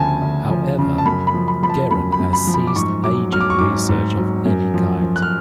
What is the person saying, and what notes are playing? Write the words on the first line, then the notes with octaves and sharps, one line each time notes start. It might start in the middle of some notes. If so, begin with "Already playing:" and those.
However, Geron has ceased aging research of any kind.
Already playing: D2 C#3 F3 G#5 A5
D2
F3
C#3
A5
F#2 B5
B5
F3
B5
F3 B5
A5
F#2 B5
B5
F#2
B5
F3
B5
D6
G#2 C#6
F#3 D6
F#3 F6
D6
C#6
G#2 D6
G#2
F#3
F#2
F3
F3
F#6
F6